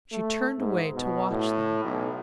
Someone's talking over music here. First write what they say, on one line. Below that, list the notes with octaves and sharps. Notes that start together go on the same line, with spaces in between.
She turned away to watch them.
A3
G#2
B2
A2
B1